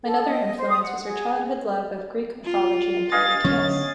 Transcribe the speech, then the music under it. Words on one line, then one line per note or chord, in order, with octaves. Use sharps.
Another influence was her childhood love of Greek mythology and fairy tales.
A4
D#5
C5
D#6
F#5
G#4
F4
D#5 F5 G#5 A6
D3 F#3 B3 C#4